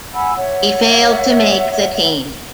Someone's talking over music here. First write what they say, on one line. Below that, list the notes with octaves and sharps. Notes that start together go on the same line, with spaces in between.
He failed to make the team.
F#5 G#5 B5 E6
C#5 E5 F#5